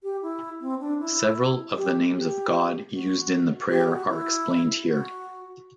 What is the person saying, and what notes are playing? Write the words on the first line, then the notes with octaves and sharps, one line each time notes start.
Several of the names of God used in the prayer are explained here.
G4
E4
C4
D4
E4
G4
G4
F#4
G4
F#4
E4
F#4